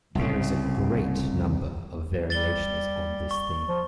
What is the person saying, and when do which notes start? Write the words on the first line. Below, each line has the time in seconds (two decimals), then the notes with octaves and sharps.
There are a great number of variations on this theme.
0.15 C2 C#3
2.30 G3 A6 G7
3.31 C#6
3.67 F3